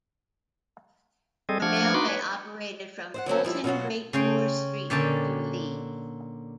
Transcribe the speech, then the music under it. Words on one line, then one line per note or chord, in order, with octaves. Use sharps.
The railway operated from Bolton Great Moor Street to Leigh.
G3 C4 G#4 A4 D#5
F3 A3 D4 F#5 F6 G#6
D4 D#4 F#4 B5 C6 D6
B4 C#5
C5 D#5 F#5
D3 F#3 C4 C#4
F3 G3 E4
B2 F#3 F4 F#4
C#3 C#4 G5 C6
A#2 D3 C#4 G5 A5